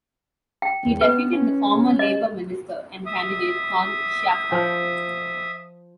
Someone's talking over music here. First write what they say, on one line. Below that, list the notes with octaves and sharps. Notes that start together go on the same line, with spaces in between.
He defeated the former Labor minister and candidate Con Sciacca.
G5
E2
B3 B4
C#4
D#5
E5 D#6
F3